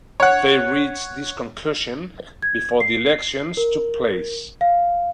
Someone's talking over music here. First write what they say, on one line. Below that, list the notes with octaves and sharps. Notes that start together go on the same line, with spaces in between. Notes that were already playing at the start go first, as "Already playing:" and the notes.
They reached this conclusion before the elections took place.
C#5 F#5
G#6
C7
A#4
F5